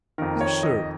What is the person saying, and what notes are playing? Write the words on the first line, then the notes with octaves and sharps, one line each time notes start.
"Yes, sir."
F2 D#3 A#4
C#5
D#5